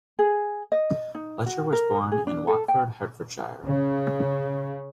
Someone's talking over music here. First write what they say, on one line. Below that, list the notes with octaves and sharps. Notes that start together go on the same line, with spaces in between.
Fletcher was born in Watford, Hertfordshire.
G#4
D#5
D#4
F#4
A#4
G#4
D4
A4
G5
C#3